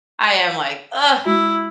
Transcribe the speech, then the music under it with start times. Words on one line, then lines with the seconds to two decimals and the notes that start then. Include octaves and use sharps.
I am like, "Ugh."
1.25 G#3 E4 F#4